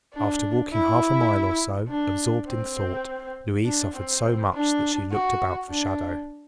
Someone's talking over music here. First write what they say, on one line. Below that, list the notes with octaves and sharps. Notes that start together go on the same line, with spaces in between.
After walking half a mile or so, absorbed in thought, Louise suffered so much that she looked about for shadow.
D4
E4
D4
C4
D4
C4
D4
F#4
D4